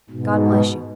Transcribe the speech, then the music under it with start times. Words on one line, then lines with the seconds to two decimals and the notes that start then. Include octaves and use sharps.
'God bless you!
0.10 G#2 B2